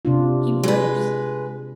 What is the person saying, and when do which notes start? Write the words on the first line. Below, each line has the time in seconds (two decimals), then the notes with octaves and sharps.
He rose.
0.05 C3 D4 F4
0.63 G#3 B4